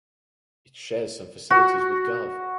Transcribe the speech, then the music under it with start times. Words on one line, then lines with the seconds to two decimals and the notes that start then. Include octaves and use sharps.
It shares some facilities with Gov.
1.50 F#4